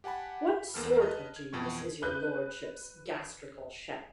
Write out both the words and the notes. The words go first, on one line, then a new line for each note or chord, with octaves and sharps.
What sort of genius is your Lordship's gastrical chef?
G4 F#5 G#5 A5 B5
B5
E2 A#3 A4 F6
B4 D#5 A5
G#6
F2 B2 E3 C#6
B4 F#6 G6